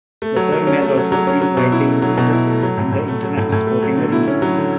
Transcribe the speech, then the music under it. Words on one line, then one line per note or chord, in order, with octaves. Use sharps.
The term has also been widely used in the international sporting arena.
A3
F#3
F#3
C#4
A3
F#3
F#3
C#4
F#3
B2
E4
A3
F#3
B2
E4
A3
F#3
A2
A2
A3
F#3
A2
A2
A3
F#3
D3
E4
C#4
F#3
D3